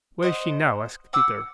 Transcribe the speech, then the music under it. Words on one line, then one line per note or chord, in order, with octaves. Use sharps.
"Where is she now?" asked Peter.
C5 D#5 F#5
F#5 D6 E6